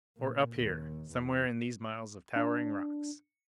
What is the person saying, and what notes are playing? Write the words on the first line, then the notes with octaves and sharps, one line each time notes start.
Or up here, somewhere in these miles of towering rocks?
A#2
D#2
E2
D4